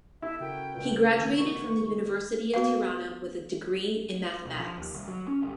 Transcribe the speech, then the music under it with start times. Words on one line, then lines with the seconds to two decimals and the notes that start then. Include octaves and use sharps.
He graduated from the University of Tirana with a degree in Mathematics.
0.22 E4 A4 E5
0.40 C#3 F#4 A#4 G5
0.75 C#2 A#2 B4
1.19 D#3 A3 B3 G#5
1.37 C2 C#6
2.54 B3 F#4 B4 F5
4.45 B1
4.59 F3
4.77 D#2
4.94 C2
5.08 F#3
5.28 C#4
5.42 G1